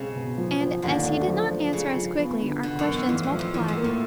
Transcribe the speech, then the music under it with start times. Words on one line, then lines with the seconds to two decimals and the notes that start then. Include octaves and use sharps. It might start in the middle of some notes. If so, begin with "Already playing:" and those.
And as he did not answer us quickly our questions multiplied.
Already playing: B1 C#3 G#3 C4
0.16 B2
0.38 F3
0.61 F3
0.82 D#2 D3
1.06 A3
1.28 F3
1.51 F3
1.73 C#3 G#3
1.96 F3
2.18 B3
2.41 D3
2.63 B2 D3
2.79 F#2
2.86 B3
2.94 F2
3.08 E2 A2
3.23 F2
3.31 F3
3.39 F2
3.53 E2 A2
3.68 F2
3.77 A#3
3.84 A2